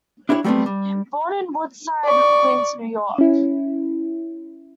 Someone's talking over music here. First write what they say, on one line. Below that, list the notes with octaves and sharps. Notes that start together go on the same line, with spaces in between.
Born in Woodside, Queens, New York.
D4 E4 G4 C5 C#5
F#3 G3 A3 B3 C4
G3
D5 C#6
C#4 E4